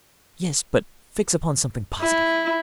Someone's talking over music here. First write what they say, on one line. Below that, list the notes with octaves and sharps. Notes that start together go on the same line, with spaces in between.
"Yes; but fix upon something positive."
E4